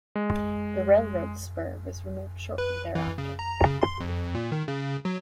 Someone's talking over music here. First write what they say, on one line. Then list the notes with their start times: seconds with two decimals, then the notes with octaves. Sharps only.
The railroad spur was removed shortly thereafter.
0.16 G#3
2.58 B4
2.95 E3
3.18 C#3
3.39 A#5
3.65 C#3
3.82 C6
4.00 F2
4.35 A#2
4.52 D#3
4.68 C#3
5.05 F#3